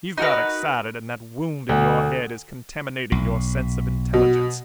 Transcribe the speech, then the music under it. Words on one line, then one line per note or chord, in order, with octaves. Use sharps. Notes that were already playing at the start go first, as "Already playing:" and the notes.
You've got excited, and that wound in your head is contaminating your sense of intelligence.
D#4 F#4 A#4 B4
D2
B1
B2